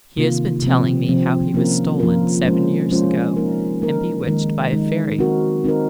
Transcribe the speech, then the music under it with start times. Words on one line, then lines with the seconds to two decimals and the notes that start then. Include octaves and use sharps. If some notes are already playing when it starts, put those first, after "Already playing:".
He has been telling me how he was stolen seven years ago, and bewitched by a fairy.'
0.17 C3 D#3 A#3 F4
0.62 C3 F3 C4
1.08 C3 F3 C4
1.54 F3 A#3 C#4 F4 A#4
2.00 F3 A#3 C#4 F4 A#4
2.45 F3 G#3 C#4 F4 C5
2.90 F3 G#3 C#4 F4 C5
3.36 A#3 D#4 A#4
3.82 A#3 D#4 A#4
4.27 D#3 G#3 D#4
4.72 D#3 G#3 D#4
5.19 C4 D#4 F#4 A#4
5.64 C4 D#4 F#4 A#4